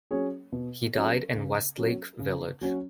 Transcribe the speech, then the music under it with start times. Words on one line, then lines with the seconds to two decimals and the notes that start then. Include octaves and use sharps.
He died in Westlake Village.
0.11 F#3 C#4 G#4 C#5
0.52 B2
0.93 F#3 C#4 G#4 C#5
1.35 C#3
1.78 F#3 C#4 F#4 C#5
2.19 C#3
2.61 F#3 C#4 F#4 C#5